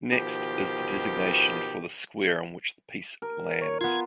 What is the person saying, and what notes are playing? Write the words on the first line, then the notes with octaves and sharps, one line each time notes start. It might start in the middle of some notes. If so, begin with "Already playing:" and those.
Next is the designation for the square on which the piece lands.
B2 D#3 F3 G4
A#4
C#5
B3 F4 G#6